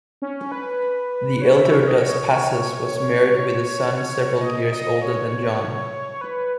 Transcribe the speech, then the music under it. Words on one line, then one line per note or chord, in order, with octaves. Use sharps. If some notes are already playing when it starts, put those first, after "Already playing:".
The elder Dos Passos was married with a son several years older than John.
C#4
B4
C#5
E5
C#5
D#5
C#5
D#5
D#5
C#5
B4